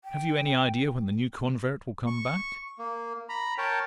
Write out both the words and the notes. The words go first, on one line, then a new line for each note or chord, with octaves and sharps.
Have you any idea when the new convert will come back?
G5
C#6
A#3
A#5 B5
A#4 C#5 G5 A5